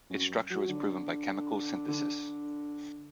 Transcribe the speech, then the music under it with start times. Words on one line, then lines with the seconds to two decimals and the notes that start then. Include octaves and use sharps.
Its structure was proven by chemical synthesis.
0.10 F#2
0.51 F#3
0.69 D3
1.88 D3